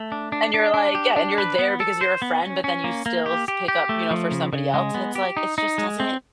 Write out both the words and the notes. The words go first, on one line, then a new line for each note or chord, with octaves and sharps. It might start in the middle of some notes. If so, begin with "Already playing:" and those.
And you're like, yeah, and you're there because you're a friend, but then you still s pick up, you know, for somebody else, and it's like, it just doesn't
Already playing: A3
D4
D4
D4
D4
G4
D4
B4
B3
A4
C5
B3
C#4
C#4
A#3
A#3
G4
G4
G4
A3
F3
C#3
C#3
G#3
B3
G4
D#4
D#4
G#3
C4